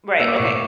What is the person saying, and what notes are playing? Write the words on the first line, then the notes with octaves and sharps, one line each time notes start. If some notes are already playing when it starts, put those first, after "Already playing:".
Right, okay.
A#3 E6
D6
A2 C#6
D6